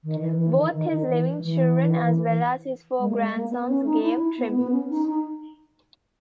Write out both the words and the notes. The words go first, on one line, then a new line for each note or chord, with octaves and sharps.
Both his living children as well as his four grandsons gave tributes.
D#3
E3
E3
D#3
D#3
D#3
E3
G3
E3
G#3
A#3
G#3
A#3
B3
C#4
D#4
E4
E4
B3
B3
C#4
D#4
D#4